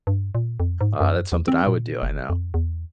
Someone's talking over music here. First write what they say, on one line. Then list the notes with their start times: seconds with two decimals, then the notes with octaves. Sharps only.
Uh, that's something I would do, I know.
0.07 G2
0.35 A#2
0.60 F2
0.81 G#2
1.00 F#2
1.32 E2
1.48 C4
1.67 A#2
2.02 F#1
2.30 F2
2.54 E2